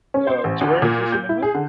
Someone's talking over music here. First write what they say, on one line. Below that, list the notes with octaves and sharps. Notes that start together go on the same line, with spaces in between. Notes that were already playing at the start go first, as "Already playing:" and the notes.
Uh, so where is this in England?
C#4
C5
A1
D2
A#2
G6
E4
G#4
D3